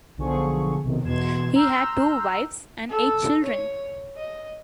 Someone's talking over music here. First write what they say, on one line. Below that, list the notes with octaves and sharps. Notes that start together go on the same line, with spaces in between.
He had two wives and eight children.
B1 D3 F3 G#4 C#6
B1 C3 D#3
E2 B2 C6 G#6 E7
A#5 C6 E6 F6 G6
A4
C#5
D#5